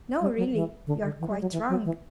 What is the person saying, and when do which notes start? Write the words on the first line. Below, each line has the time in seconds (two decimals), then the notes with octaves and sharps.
'No; really you are quite wrong.
0.21 G3
0.37 F#3
0.53 E3
0.87 D3
1.03 D3
1.20 E3
1.30 G3
1.41 F#3
1.52 E3
1.69 F#3
1.85 E3